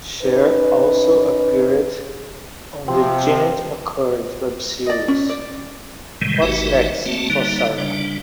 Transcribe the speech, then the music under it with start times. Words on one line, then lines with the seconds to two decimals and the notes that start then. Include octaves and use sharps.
Scheer also appeared on the Jennette McCurdy web series What's Next for Sarah?
0.23 C#4 D#4 B4
2.88 C3 F3 C4
4.86 D5 D#5
5.08 C#4
5.29 D5
6.22 A2 C3 D#3 E3 G3 G#3
6.42 G#1 E3 A3 D#4 F#4 G4
7.06 A3 A#3 C4 F#4 A5
7.30 D3 G3 A#3 D#4
7.78 C#3 G3 D4